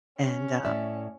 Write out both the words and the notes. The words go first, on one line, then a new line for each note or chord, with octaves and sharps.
and uh
C#4
A2 D5 E5